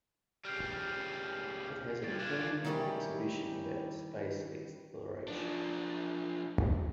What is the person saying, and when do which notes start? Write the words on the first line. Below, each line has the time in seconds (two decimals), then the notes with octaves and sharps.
It has a permanent exhibition about space exploration.
0.45 C#2 G3 F6 G6 C7
2.03 C#2 G2 G#6 A6 D7
2.19 D4 F4 F#6 G#6 E7
2.65 D#3 E3 G3 C#4 E4 G4
5.28 F3 D4